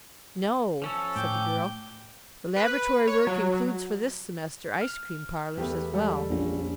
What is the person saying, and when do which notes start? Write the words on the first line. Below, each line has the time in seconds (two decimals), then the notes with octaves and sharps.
"No," said the girl, "the laboratory work includes for this semester ice-cream parlours as well."
0.82 F3 C#4 A4
1.16 A2 G5 D6 G6
2.56 B4
3.08 C#5
3.27 F#3
4.81 F6
5.58 E2 A3 G4 B4
5.94 G3 G#3 A4
6.30 A#1 F2 C#4